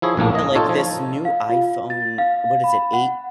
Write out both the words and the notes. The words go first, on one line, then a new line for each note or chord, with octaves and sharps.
Yeah, like this new iPhone what is it? Eight
F3 E4 G#4 C#5
A#1 A2 A3 A#3
D#5
D#4 F4 A4 C#5
F3
F5
F4
A6
F5
B5
F#5